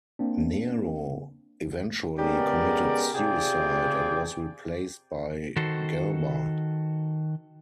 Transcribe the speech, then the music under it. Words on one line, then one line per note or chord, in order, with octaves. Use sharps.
Nero eventually committed suicide and was replaced by Galba.
A#3 C4 D4
C#3 G#3 B3 G4 A#4 D5
C3 F4 G4 G#4 D5 G5
D#3 F#4 A4 C5